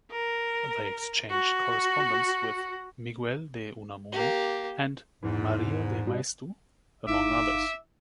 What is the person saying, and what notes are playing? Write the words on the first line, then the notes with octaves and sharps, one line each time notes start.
They exchanged correspondence with Miguel de Unamuno and María de Maeztu, among others.
A#4
F#4
A#3 G4
E2 G#2 E3
B2 G3
G1 D#4 E4 E5 F5 D6